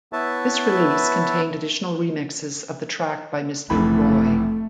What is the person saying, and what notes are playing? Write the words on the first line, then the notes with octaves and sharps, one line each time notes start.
This release contained additional remixes of the track by Mr. Roy.
B3 E4 B4 C#5 E5 A5
F1 E3 A3 B5